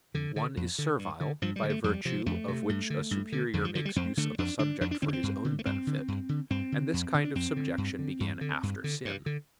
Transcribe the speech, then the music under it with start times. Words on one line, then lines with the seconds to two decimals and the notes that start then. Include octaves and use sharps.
One is servile, by virtue of which a superior makes use of a subject for his own benefit; and this kind of subjection began after sin.
0.14 F2 D3
0.36 D3
0.57 F2
0.78 D3
0.99 G2
1.20 D3
1.42 G2 F3
1.56 G3
1.63 D3
1.70 A3
1.84 F2 G3
2.05 C3 F3
2.26 F2 A3
2.48 C3
2.69 G2
2.90 D3
3.11 G2
3.32 D3
3.54 F2 D3
3.65 F3
3.75 D3 F3
3.85 G3
3.96 F2 C4
4.17 D3 A3
4.38 F2 D4
4.59 D3 D4
4.81 F2 D4
4.91 D4
5.02 D3 C4
5.08 D4
5.13 C4
5.23 G2
5.45 D3
5.59 A3
5.66 G2 C4
5.87 D3
6.08 G2
6.29 D3
6.50 G2 C4
6.72 D3
6.93 F2
7.14 D3
7.25 D4
7.35 F2 C4
7.56 D3
7.78 G2
7.99 D3
8.20 G2
8.41 D3
8.63 G2
8.84 D3
9.05 G2
9.26 D3